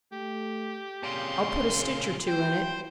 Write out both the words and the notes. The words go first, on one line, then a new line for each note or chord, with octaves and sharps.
I'll put a stitch or two in it.
A3 G4
A#2 C#3 C4 G#4 C#5 C6
C5 G5